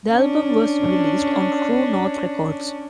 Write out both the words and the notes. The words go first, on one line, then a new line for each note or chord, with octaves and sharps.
The album was released on True North Records.
C#4 D4